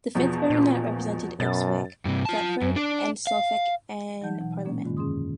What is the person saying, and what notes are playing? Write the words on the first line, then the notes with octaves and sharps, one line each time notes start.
The fifth Baronet represented Ipswich, Thetford and Suffolk in Parliament.
E2 B2 F3
A#2
F#2 B2 A6
G2 C3
F4 A5
F#2
D4 D5
F5
E3 F#3 D#4 F#5 A5 G6
B2 E3 F#5
A#2 E3 G#3 A#3 C#4
G2 D3 D#3 G#3 F4
F2 C#4 G#4 C6 D#6